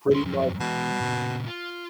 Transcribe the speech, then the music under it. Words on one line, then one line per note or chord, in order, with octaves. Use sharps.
Pretty much
D2 C6
F#2 F3
B2 E3 G#3
A#2 C#3
F4